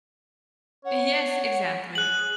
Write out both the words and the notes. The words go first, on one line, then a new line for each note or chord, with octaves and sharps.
Yes, exactly.
C#5 F#5
G#4 F#6 F#7